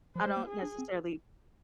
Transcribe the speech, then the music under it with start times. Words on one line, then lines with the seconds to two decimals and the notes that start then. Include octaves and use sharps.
I don't necessarily
0.15 F3 C5
0.26 G#3
0.37 A#3
0.47 G#4
0.62 D4
0.78 C4